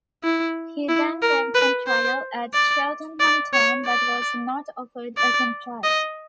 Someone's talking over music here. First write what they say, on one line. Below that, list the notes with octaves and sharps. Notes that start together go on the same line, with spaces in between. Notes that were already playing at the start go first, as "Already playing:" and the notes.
He then went on trial at Cheltenham Town, but was not offered a contract.
E4
E4
A#4
B4
C5
D5
D5
C#5
D5
D5
D#5